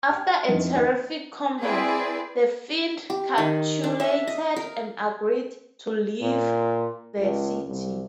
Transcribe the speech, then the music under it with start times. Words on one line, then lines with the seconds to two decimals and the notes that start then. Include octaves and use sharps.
After a terrific combat, the fiend capitulated and agreed to leave the city.
0.09 G5 F6
0.48 F2 D3 E3 D#4
0.73 D#2 D#4 B4
1.62 C4 E4 G#4 B4 D5
3.10 G4
3.38 D#3
3.84 D4
4.00 E5
4.27 D#5
4.56 A#4
6.21 A#2
7.18 C#2
7.66 C2